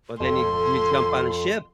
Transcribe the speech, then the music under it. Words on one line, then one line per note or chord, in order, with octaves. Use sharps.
Well, then you you jump on a ship.
D#1 F2 A4 C6